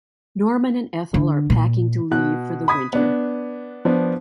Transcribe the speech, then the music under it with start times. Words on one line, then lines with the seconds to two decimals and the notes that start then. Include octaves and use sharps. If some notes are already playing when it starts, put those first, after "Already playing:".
Norman and Ethel are packing to leave for the winter.
1.14 D3
1.50 A#2
2.11 B2 F#6
2.68 B5 D#6 G#6 B6
2.93 B3 D4
3.85 F3 B3 D4